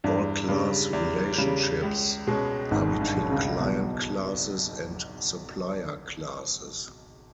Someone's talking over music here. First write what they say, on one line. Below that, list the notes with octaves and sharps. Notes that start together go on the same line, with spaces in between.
All class relationships are between client classes and supplier classes.
E2 G2
G2 C#3 G3
E2
C#3 G3
C#2
B2 G#3 C#4
G#1 C#2 G#2
G2
B2 G#3 C#4
C#2 C#3
B1 E2 B2